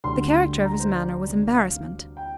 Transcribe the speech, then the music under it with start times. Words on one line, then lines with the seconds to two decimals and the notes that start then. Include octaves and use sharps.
The character of his manner was embarrassment.
0.04 D2 D3 G3 C6
0.65 A#5
0.79 C5
0.95 D5
1.25 D2 C3 G3 D4
1.55 F5
2.17 G5